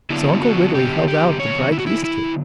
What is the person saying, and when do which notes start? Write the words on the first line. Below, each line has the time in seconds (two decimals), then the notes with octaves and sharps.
So Uncle Wiggily held out the bright yeast cake.
0.10 D3 F#3 B3 D4 E4
0.42 F#4
0.75 G4
1.08 G4
1.40 C#5
1.72 E4
1.79 F#4
1.87 E4
2.04 E4